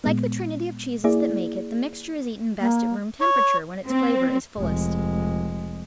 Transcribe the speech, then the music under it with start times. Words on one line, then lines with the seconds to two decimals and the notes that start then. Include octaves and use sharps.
Like the trinity of cheeses that make it, the mixture is eaten best at room temperature, when its flavor is fullest.
0.04 A#2 G#3 B3
1.04 A#3 E4 G#4 D5
2.60 A#3
3.20 C#5
3.88 C4
4.57 F1 G#3